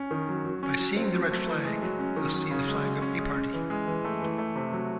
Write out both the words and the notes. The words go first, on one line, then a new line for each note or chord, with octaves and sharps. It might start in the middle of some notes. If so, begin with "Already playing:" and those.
By seeing the red flag, they'll see the flag of a party!
Already playing: C#4
D#3
F#3
F#3
C#4
F#3
C4
F#3
A3
E3
G#3
F#3
C#4
D#3
F#3
C#3
G#3
F#3
C#4
G#3
C#4
E3
G#3
E3
A3
E3
A3
C3
F#3